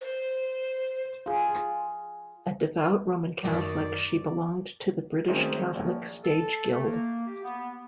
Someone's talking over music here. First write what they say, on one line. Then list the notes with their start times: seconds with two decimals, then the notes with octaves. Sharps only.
A devout Roman Catholic, she belonged to the British Catholic Stage Guild.
0.01 C5
1.26 F4 G#4
3.44 F#2 D#3 D5
5.28 D#3 F#3 G#3 A3 C4 C#4
5.75 A#1
6.24 A4
6.69 A3
6.84 A#3
7.27 G4
7.44 B3